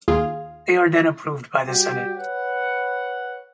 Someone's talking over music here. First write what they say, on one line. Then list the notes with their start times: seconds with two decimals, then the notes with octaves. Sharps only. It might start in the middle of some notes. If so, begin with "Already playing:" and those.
They are then approved by the Senate.
0.08 D#2 F4 G#4 F5
1.65 G3 F#4 G4
2.16 B4 C#5 F#5